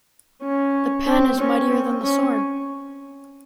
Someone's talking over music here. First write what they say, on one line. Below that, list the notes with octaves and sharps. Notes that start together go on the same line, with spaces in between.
The pen is mightier than the sword.
C#4
C4
C#4
C4
C#4